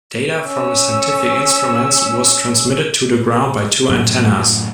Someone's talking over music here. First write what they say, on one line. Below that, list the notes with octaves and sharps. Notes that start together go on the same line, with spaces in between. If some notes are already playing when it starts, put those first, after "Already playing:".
Data from the scientific instruments was transmitted to the ground by two antennas.
C#4 E6
F#2 A2 C#3 F#3